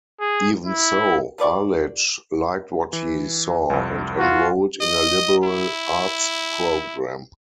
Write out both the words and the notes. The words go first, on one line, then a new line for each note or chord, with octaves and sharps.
Even so, Arledge liked what he saw and enrolled in a liberal-arts program.
G#4
E4
F3 B4 D5 C#6
E3
C2 F2
F4 F#4
D#5
E4